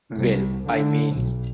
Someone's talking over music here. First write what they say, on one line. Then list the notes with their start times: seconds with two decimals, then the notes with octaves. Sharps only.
Well, I mean!
0.15 C2
0.68 D3
1.15 B1